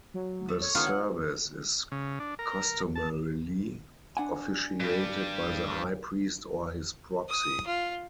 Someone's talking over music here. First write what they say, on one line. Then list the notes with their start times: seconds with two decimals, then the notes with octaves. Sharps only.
The service is customarily officiated by the high priest or his proxy.
0.14 F#3
0.48 A3
0.61 C#5
0.75 D#3 B3 F4 A4
0.87 F#5
1.92 C#3
2.20 D4
2.39 A#4
2.95 A5
4.17 D4 F#5 G#5
4.80 G2 G3
7.29 D#6
7.66 F4